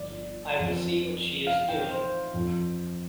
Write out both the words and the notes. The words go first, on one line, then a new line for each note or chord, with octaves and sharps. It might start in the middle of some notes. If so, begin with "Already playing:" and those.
I will see what she is doing.
Already playing: G1 F3 D5
F2 F3
F5
G5
C5
F2 F3